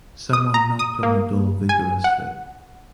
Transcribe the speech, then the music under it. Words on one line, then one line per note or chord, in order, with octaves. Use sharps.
Someone knocked on the door vigorously.
D#6
A#5
D#6
A#3
G#5
F#5